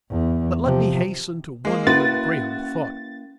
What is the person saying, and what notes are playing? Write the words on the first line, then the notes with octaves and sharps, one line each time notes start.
But let me hasten to one other greater thought.
E2
C3 F3
G#3 A#3
A#3 C#4 E4 F#4 B4 A6